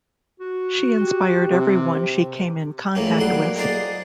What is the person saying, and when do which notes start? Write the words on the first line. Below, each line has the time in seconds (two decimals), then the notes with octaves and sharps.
She inspired everyone she came in contact with.
0.40 F#4
1.02 G4
1.49 C3
2.95 A#1 A2 A#3 C#4
3.18 B1 G3 A#3 F#5 C6
3.56 D#4 F4 G#4 C5 D5